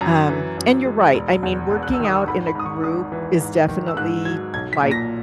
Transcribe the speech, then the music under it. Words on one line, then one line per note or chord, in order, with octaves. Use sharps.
Um, and you're right. I mean, working out in a group is definitely, like
F#2 A#5
E3
F#2
G#3
E1
E2
E1
F#6
E6
D#3
D#6
C#6
G#1 B5
B5
G#2 D#6
C#6
G#1 D#6
E3
G#2
D#3
E6
G#2 F#6
F#3 G#6
B1 G#6
B6
A#2
A#6